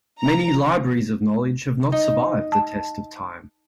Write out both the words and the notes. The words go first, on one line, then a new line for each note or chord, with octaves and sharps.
Many libraries of knowledge have not survived the test of time.
A#5
D#4
A5